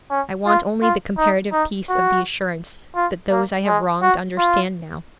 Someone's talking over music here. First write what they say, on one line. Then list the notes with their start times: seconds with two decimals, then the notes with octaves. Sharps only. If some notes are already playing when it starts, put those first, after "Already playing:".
I want only the comparative peace of the assurance that those I have wronged understand now.
0.10 C#4
0.47 F4
0.82 F4
1.18 D#4
1.53 D#4
1.89 F#4
2.96 F4
3.31 A#3
3.67 G#3
4.02 F#4
4.38 F4